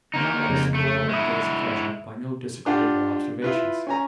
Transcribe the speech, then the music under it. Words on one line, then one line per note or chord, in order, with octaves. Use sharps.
Do not let us spoil our day's pleasure by no disagreeable observations.
A#3 D#4
F2 C#3
A3
G#3 E4 E5 D#6
D4 F4 G4 F5 F#5
E4 F4 B4
C#4 G#5 A#5